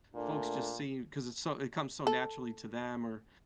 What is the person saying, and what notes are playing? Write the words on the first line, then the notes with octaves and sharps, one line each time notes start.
folks just see, 'cause it's so it comes so naturally to them or
A#2 A3 A#3 D4
A4